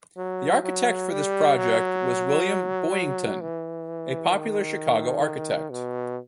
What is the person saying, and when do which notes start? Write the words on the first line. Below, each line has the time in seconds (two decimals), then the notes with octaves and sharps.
The architect for this project was William Boyington, a popular Chicago architect.
0.18 F#3
0.64 F#3
1.11 G3
1.56 F#3
3.41 E3
4.33 D#3
5.70 B2